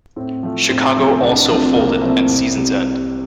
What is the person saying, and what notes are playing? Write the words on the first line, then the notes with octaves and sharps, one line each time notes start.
Chicago also folded at season's end.
A2 C4
F3 A3
A2 C4
F3 A3 C4
C4
C2 D4
D4
C3 F3 A3 C4
C2 A#3
C3 F3 A3 C4
C2
C3 G3